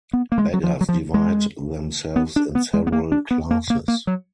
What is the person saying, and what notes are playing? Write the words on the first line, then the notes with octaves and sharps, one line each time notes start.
Beggars divide themselves in several classes.
B3
A#3
G#3
F#3
F3
F#3
F3
G#3
B3
D4
B3
G#3
B3
A#3
D4
B3
A#3
A#3
A#3
F#3